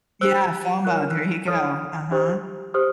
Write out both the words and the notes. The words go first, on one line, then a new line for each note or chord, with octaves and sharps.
Yeah, FOMO, there you go, uh-huh.
D4 G4 C5 E6 F#6
F4 A#4 C#5 F#6
F6
E6 F#6
E4 A4 C#5 D#6 F6
D4 G4 C5
G4 C5 D#6 F6